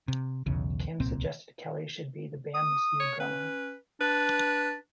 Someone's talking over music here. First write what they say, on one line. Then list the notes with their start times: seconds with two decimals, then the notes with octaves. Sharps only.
Kim suggested Kelley should be the band's new drummer.
0.08 C3
0.46 B1 E2 C#3
1.00 D1 C2 A#2 C4
2.54 D#6
3.00 C#5
3.20 C#4 B4
4.01 D4 B4